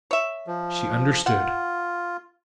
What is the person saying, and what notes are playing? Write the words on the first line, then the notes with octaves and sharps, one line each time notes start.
She understood!
C#5 E5
F3
F4 F#5